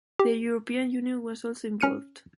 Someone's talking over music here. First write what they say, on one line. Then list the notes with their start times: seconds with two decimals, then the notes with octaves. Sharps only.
The European Union was also involved.
0.19 G4
1.80 C#4 F6 C#7 D#7